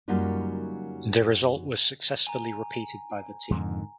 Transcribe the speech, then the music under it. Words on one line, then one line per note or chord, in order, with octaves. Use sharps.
The result was successfully repeated by the team.
F#2 F#3 G3 A#3 D#4 F4
G#5 A#5
F2 G#2 D3 D#3